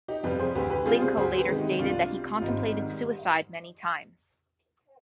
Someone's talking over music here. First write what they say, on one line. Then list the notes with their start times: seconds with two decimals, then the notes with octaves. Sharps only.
Blincoe later stated that he contemplated suicide many times.
0.08 D#4 G4
0.23 F2 C3 G3 G4 B4
0.39 G#4 C5
0.55 D2 G4 B4
0.70 G4 B4
0.85 C3 G3 F4 G#4
1.02 G#4 C5
1.17 D2 G#4 C5
1.38 G4 B4
1.48 C3 D#3 G#3
1.58 D#4 G4
1.79 C2 D4 F4
2.10 C3 G3
2.37 F4
2.42 G#1 C4 D#4
2.72 G#2 D#3 G3